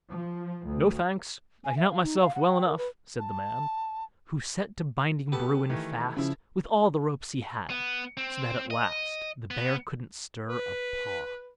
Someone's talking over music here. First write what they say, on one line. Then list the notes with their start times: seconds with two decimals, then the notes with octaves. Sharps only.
'No, thanks, I can help myself well enough', said the man, who set to binding Bruin fast with all the ropes he had, so that at last the bear couldn't stir a paw.
0.11 F3
0.68 D2
1.65 G#5
1.77 E5
1.90 F5
2.03 D#4
2.21 F5
2.35 F#5
2.49 G5
2.66 A#4
2.78 B4
3.19 A5
5.32 B3 G4 A4
5.69 D#3 E3 A3
6.16 C#3 F3 E4
7.70 B3
8.17 C4
8.71 D#5
9.51 B3
10.47 B4